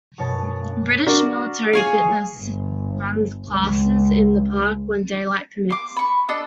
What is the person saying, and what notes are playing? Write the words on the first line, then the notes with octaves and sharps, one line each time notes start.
British Military Fitness runs classes in the park when daylight permits.
F#2 B2 B3 C#5 A5
D4 F#4 A#4
G#4 C#5 F5
G1
C#2
C6 D6
B5 C#6
D4 A4 D#5